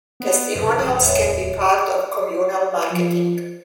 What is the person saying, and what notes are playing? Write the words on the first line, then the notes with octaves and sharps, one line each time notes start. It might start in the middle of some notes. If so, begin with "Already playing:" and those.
Testimonials can be part of communal marketing.
B3
F#2 C3 B4
E3
D1 G#4
E2 C#5 D#5 E5
F3